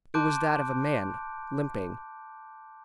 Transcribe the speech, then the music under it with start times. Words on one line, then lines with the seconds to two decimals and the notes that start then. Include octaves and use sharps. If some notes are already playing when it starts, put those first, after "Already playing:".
It was that of a man, limping.
0.14 A5 C6 D6 F#6 G6 D7